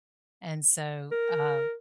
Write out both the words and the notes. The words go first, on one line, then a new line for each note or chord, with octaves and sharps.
And so, uh,
A#4